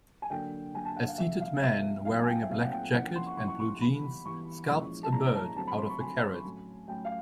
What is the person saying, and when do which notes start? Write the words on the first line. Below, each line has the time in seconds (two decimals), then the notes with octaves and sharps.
A seated man wearing a black jacket and blue jeans sculpts a bird out of a carrot.
0.22 G#5
0.30 D3 F#3 A#3 D4 G5
0.74 D3 F#3 A#3 D4 G#5
0.85 A5
0.96 F#5
1.08 F5
1.18 C3 F3 A3 E5
1.40 F5
1.57 F5
1.61 C3 F3 A3 E5
2.05 A#2 F#3 A3 C4 D#4 F5
2.23 G#5
2.28 G5
2.42 E5
2.49 A#2 F#3 A3 C4 D#4 F5
2.61 F#5
2.71 G5
2.93 F3 A#3 C#4 E4 F#5
3.04 G5
3.16 C6
3.27 C#6
3.37 F3 A#3 C#4 E4 C#6
3.48 C#6
3.60 C#6
3.81 E3 G3 B3 B5
4.26 E3 G3 B3 C#6
4.69 A#2 F3 G#3 C#4 E4
5.03 A5
5.12 A#2 F3 G#3 C#4 E4 A#5
5.35 A5
5.56 D3 F#3 A3 C4 A5
5.67 B5
5.78 C6
5.89 C#6
6.00 D3 F#3 A3 C4 G#5
6.44 A2 F#3 A3 C#4
6.88 A2 F#3 A3 C#4 G5
7.05 F5